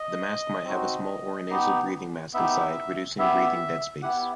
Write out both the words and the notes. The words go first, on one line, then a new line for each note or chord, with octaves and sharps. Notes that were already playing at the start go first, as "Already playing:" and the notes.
The mask might have a small orinasal breathing mask inside, reducing breathing deadspace.
Already playing: D#5
C4 D#4 F#4
B3 D#4 G4
B3 D#4 G4 E5
B3 E4 G4 E5
B3 E4 G4 F#5